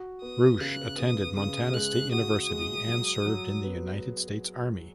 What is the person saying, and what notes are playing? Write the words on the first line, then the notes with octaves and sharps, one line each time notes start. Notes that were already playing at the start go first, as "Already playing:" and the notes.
Roush attended Montana State University and served in the United States Army.
Already playing: F#4
B3 D#6
C#3 F#6
B3 D#6
C#3 D#6
G#3 F#6
F#4 D#6
G#3
F#3
F#3
B3